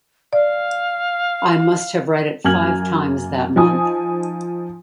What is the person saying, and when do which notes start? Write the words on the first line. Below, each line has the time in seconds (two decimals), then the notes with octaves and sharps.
I must have read it five times that month.
0.33 D5 F5
2.45 F#2 A#3 G#5 F6 G#6 F#7
3.56 F3 D#4 G#5 D#6